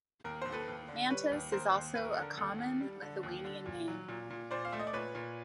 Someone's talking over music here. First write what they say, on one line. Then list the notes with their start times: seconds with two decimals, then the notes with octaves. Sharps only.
Mantas is also a common Lithuanian name.
0.24 D#2 A#4
0.42 D#2 C5
0.52 A4 B4
0.68 D#2
0.89 D3
1.10 G3 B4 C#5
1.32 D#2
1.52 D#2 A#4 C5
1.74 D#2
1.95 D#2 B4
2.04 A#4
2.13 A4
2.17 D3 A#4
2.37 D#2 A4
2.59 D#2
2.81 G3
3.02 D3
3.23 D#2
3.45 D3
3.66 A#2
3.88 F#3
4.08 A#2
4.30 A#2
4.51 A#2 C5 D5
4.65 F5
4.72 A3 E5
4.79 D#5
4.87 D5
4.93 A#2 B4 C#5
5.15 A#2